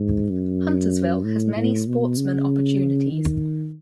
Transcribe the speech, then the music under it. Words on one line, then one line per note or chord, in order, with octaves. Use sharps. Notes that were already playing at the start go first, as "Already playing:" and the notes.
Huntersville has many sportsman opportunities.
Already playing: G#2
F#2
A2
A2
B2
C#3
D#3